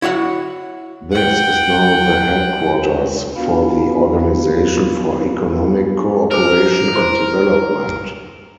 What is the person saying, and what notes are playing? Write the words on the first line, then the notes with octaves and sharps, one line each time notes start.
This is now the headquarters for the Organisation for Economic Co-operation and Development.
E4 F#4 C#5 F#5
F#5 G5
B3 D4 F4 F#4 F5 B5
G#4 A#4 C5
G#4 C5 C6